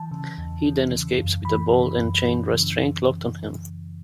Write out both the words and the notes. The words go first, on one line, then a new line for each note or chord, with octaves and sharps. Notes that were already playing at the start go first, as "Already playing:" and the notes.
He then escapes with a ball-and-chain restraint locked on him.
Already playing: E3 A5
C#3
E2
E3
C#3
F#2
E3 B5
C#3
F#2
E3
C#3